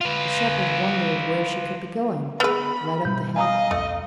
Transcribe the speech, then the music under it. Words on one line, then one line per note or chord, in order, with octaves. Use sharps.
The shepherd wondered where she could be going--right up the hill.
F4 B4
B3 G#4 B4 B5 E6 F6
B2 G3 G6
D#5 F5 G#5 A#5 D#6
C2 F2 A3